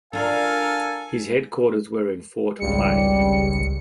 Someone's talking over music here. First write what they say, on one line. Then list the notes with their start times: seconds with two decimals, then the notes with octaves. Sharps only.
His headquarters were at Fort Plain.
0.13 D4 F4 A4 A#4 F5 G#5
2.60 G#1 C#2 G3 C#7